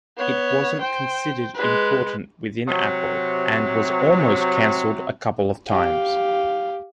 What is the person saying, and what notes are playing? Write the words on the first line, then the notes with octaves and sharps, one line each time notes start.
It wasn't considered important within Apple and was almost canceled a couple of times.
B3 C#5
C5 G5
G#3 B4
C3 F#3
G4 F5